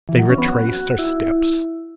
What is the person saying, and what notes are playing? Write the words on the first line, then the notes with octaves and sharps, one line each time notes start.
They retraced their steps.
E3
F#3
C#4
B3
F#4
F#4
F#4
E4